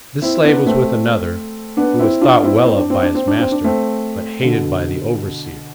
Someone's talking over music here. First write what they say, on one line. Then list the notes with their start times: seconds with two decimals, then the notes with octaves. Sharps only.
This slave was with another, who was thought well of by his master, but hated by the overseer.
0.22 C4 E4
0.44 B3 D4
0.66 A3 C4
1.77 B3 D4
1.99 C4 E4
2.21 D4 F4
2.43 C4 E4
2.66 C4
2.78 D4
2.90 C4
3.03 D4
3.15 C4
3.27 D4
3.39 C4
3.52 D4
3.64 A3 C4
4.43 B2 D3